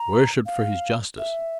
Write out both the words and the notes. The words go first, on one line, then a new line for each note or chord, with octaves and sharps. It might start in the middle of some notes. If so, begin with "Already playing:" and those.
Worshipped for his justice!
Already playing: A#5
F5
E5